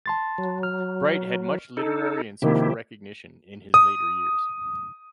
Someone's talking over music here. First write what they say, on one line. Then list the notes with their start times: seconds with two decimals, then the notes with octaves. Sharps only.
Bright had much literary and social recognition in his later years.
0.06 A5 C6 A6
0.38 F#3
0.63 F6
1.77 D#4 A4
2.42 C3 D#3 F3 A#3 E4 G4
3.74 D#6